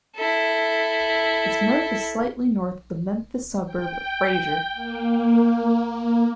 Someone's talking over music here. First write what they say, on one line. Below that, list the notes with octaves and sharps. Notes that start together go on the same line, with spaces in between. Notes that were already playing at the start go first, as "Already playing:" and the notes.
Its mouth is slightly north of the Memphis suburb of Frayser.
E4 A4
G5
A#3